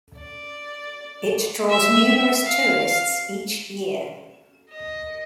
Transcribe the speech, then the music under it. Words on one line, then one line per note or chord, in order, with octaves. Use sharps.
It draws numerous tourists each year.
D5
E5
F5
D#5